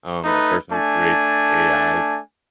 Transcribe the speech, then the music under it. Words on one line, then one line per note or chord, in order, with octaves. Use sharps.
um, a person who creates AI
A3 D#4 B4
A3 D4 G#5